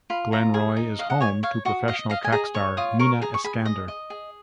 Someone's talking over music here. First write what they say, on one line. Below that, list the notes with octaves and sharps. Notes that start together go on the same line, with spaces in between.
Glenroy is home to professional track star Mina Eskander.
F4 B5
F4 A#5
G#4
D#4
D#5 F5
F#5
C#5 G#5
C#5 F5
F#4 D#5
D#5 F5
D#5 F5
G#5
G#4 A#5
C#5 C#6
F4 D#6
A#4 C#6
G#4 A#5
C#6
G#4 B5
D#5 D#6
D#5
G#4